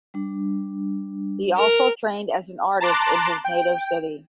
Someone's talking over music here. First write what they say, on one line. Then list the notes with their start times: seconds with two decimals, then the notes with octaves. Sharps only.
He also trained as an artist in his native city.
0.14 G3 D4
1.57 A#4
2.81 A5 A#5 C6 D6 F#6
3.45 G5